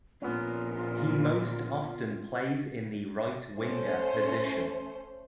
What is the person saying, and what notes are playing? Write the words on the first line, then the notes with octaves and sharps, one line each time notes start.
He most often plays in the right winger position.
A#1 A#2 B3 C#4 F4
A3 C#4 C5